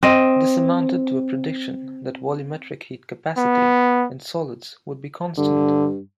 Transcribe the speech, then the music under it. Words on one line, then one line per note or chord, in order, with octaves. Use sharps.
This amounted to a prediction that volumetric heat capacity in solids would be constant.
C4 D#5
B3
G2 D3